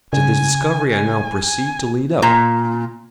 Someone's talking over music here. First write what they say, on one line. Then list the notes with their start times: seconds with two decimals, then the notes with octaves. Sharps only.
To this discovery I now proceed to lead up.
0.13 C#3 G#5
0.91 G#5
1.44 G#5
2.22 A#2